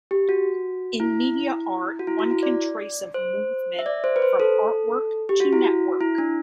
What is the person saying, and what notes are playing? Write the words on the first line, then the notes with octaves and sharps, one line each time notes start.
In media art, one can trace a movement from artwork to network.
G4
F#4
E4
F#4
E4
F#4
E4
D5
C5
E5
D5
C5
B4
C5
A4
G4
F#4
E4
F#4
E4
D4